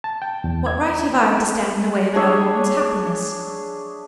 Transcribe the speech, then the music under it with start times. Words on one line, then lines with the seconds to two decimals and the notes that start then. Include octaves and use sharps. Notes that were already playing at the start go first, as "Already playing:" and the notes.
What right have I to stand in the way of another woman's happiness?
0.04 A5
0.22 G5
0.44 E2
0.66 G#6
2.15 D4 G#4 C#5 E5